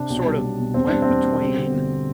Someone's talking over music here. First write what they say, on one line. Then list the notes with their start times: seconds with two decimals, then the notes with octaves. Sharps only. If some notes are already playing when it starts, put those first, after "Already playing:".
sort of went between,
Already playing: C3 D4
0.10 B1
0.25 G3
0.42 B1
0.59 B2
0.74 E2 C4
0.88 G3 D4
1.02 C4
1.08 E2
1.23 B2
1.40 G3
1.56 D3
1.73 G1